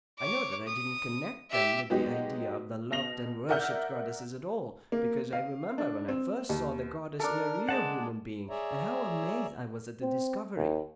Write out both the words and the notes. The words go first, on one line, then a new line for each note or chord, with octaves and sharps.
I know that I didn't connect them with the idea of the loved and worshipped goddesses at all, because I remember when I first saw the goddess in a real human being and how amazed I was at the discovery....
C#5 D6
D#6
G4 E5
F#3 G#3 B3 D#4 F#4 G4
B2 A#6 F7
A#4 D5 E5 F#5 F6 G6
A#3
F5
D4
C4
D#2
D4 A4 A#4
G#3 F#5 A5
G#4 C#5 D5 E5 A#5
C4
D#2